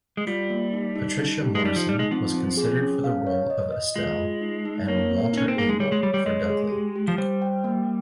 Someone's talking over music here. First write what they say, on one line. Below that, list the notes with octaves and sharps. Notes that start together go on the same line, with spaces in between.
Patricia Morison was considered for the role of Estelle, and Walter Abel for Dudley.
G#3
G3 F4
A#3
D#4
D#4
D#4
G4
G#3
G3 D#4
F3
G3 D#4
G#3
F3 C4
C4
G#4
C#4
F5
C#5
D#5
D#5
G#3 F4
F4
D#4
D#4
A#3 C#5
C4
C#4 D#4
C4
A#3 G#4
G#3
G3 C#5
G#3
G3 C#5
G3
G#3 D#5
G#4
G4
G4
F3
G3 C5
G5
A#3